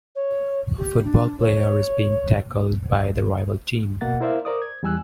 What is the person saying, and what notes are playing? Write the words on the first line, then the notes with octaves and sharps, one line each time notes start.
A football player is being tackled by the rival team.
C#5
G4
D4
C#5
B2 A#3 F#5 A6
E4 A#4 C5 D5 E5 F5
A#4 C5 D5 D6 D#6
G#6
E2 G3 G#5 E6 F#6